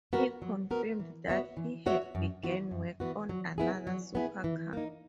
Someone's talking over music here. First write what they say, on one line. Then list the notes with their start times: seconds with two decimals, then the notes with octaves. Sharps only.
He confirmed that he had begun work on another supercar.
0.13 B3 F#4 A#4
0.42 F#3
0.71 B3 F#4 A#4
1.00 E3
1.28 B3 F#4 C#5 E5
1.57 E3
1.86 B3 F#4 C#5 E5
2.15 F#2
2.43 E3 B3 F#4
2.71 F#2
3.00 E3 B3 F#4
3.29 F#3
3.58 B3 E4 G#4
3.87 F#3
4.15 B3 E4 G#4
4.44 E3
4.73 A#3 D#4